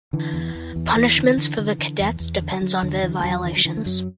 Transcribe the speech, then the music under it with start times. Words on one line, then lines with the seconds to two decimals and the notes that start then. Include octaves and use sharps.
Punishments for the cadets depends on their violations.
0.13 D3 E3
0.33 E2
0.55 E2
0.76 E2
0.96 E2 E3
1.17 D3
1.37 D3
1.59 D3
1.79 D3
2.00 E2
2.20 E2
2.41 D3
2.61 D3 F#3
2.83 E2 D3
3.03 D3 E3
3.19 A3
3.23 E2 F#3
3.44 D3 E3
3.56 F#3
3.65 D3 E3
3.77 A3
3.86 F#2 F#3